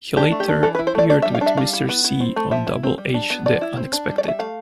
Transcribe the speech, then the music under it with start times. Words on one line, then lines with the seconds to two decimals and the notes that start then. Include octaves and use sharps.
He later appeared with Mr. Cee on "Double H: The Unexpected".
0.17 D4 G4
0.32 A3
0.40 G4
0.48 D4
0.63 E3 A4
0.75 B4
0.79 E4
0.87 C5
0.95 A3 D5
1.10 D4 D5
1.22 E5
1.25 G3
1.35 F5
1.41 D4
1.46 E5
1.57 G3 F5
1.73 E4
1.89 B3
2.04 E4
2.20 C4
2.36 A3
2.51 F3 E5
2.67 E4
2.83 C4
2.98 G3
3.14 D4
3.30 B3
3.46 F3 D5
3.61 E4
3.77 C4
3.93 D4
4.08 G3
4.18 D5
4.24 D4
4.28 E5
4.39 A3 F5